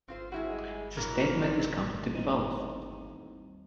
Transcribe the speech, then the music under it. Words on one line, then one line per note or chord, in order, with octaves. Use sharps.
This statement is completely false.
C4 F4 C5
G3 E4 F#4 G#4
G#3
G2 E3 F#3 A#4
A2 C4 A#4 D5
D#1 A1 C4 D#4 D#7